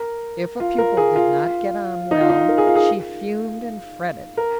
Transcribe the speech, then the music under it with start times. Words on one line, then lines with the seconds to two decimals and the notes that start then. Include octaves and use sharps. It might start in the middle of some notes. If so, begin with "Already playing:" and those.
If a pupil did not get on well, she fumed and fretted.
Already playing: A#4
0.60 F4
0.78 A#4
0.97 G#4
1.16 F4
2.11 D#4
2.21 F4
2.30 D#4
2.49 A#4
2.58 G#4
2.67 F4
2.75 G#4
4.37 A#4